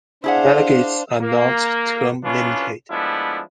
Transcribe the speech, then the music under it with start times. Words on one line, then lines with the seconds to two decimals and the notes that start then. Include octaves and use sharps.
Delegates are not term-limited.
0.24 D4 E4 G#4 C5 F5 F#5
1.21 A#3
2.23 C2 C#4 D4 F4 B4
2.91 F3 G#3 A3 B3 D4 E4